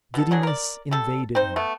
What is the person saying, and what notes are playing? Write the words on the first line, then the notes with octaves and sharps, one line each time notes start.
Giddiness invaded him.
B2 A4
D3 F#3 G#4
A#4 D5
G3 A4
C4 D#4 C5
A3 B3